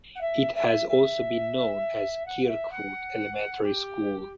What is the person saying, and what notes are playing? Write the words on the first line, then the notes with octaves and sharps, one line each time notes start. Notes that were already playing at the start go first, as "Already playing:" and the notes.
It has also been known as Kirkwood Elementary School.
F#5
E5
E5
E5
F#5
F#5
E5
F#5
G4